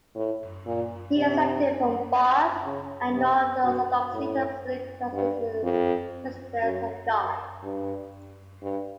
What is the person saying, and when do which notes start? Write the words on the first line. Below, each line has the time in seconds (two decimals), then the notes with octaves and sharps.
He accepted from Barth and neo-orthodoxy the absolute transcendence of God.
0.15 A2
0.66 A#2
1.16 C3
2.64 C#3
3.14 C3
3.64 B2
4.13 A2
5.13 G2
5.63 F2
6.62 F#2
7.63 G2
8.62 G2